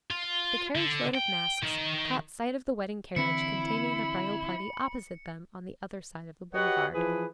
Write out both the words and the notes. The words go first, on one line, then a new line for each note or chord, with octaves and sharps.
The carriage-load of masks caught sight of the wedding carriage containing the bridal party opposite them on the other side of the boulevard.
F4
D3
G5
D#3
D3 E3 C4 E4 B5 C#7
F#4 G4 B4 C#5 D#5 F#5
E3 F3 G#4 B4